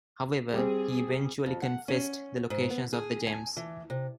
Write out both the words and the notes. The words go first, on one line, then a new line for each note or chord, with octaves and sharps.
However, he eventually confessed the locations of the gems.
G3 C4 G#4
F2
F#5
C#4
G#2
B3
G#4
G#5
E3
C3